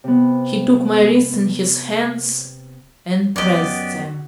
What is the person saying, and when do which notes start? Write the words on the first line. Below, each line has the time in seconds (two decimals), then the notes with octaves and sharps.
He took my wrists in his hands and pressed them.
0.04 C3 B3
3.36 F#2 B3 F#4 G4 D5 D#5